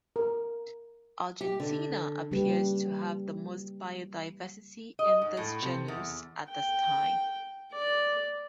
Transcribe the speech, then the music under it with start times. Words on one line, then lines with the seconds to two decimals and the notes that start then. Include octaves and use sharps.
Argentina appears to have the most biodiversity in this genus at this time.
0.16 A#4
1.41 G4
1.60 D3
2.31 C#3 G3 A#3 D4 G4 B4
4.99 D#5
5.22 G#2
5.37 A2
5.62 C3
5.88 E2
6.50 G5
7.72 D5